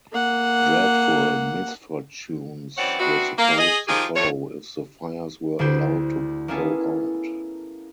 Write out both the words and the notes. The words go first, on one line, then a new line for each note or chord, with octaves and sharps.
Dreadful misfortunes were supposed to follow if the fires were allowed to go out.
A#3 F#5
F#2 E3 C4 C#4 D5 F#5
B3 C4 D4 E4 F#4
A#3
G#4 D#5
D#3 F3 F4 G4 G#4
F2 B2 A3 C#5
D2 D3 E4 G4 C5
A#3 B3 C#4 E4 G#4 A4